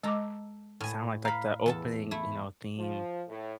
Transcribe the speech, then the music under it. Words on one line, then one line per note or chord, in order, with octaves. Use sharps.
sound like? Like, the opening, you know, theme
G#3 A4 D#5 A#5 D6
A2 G#5
F5 A#5 B5
E2 A4 A5
A3 E4
F3
A2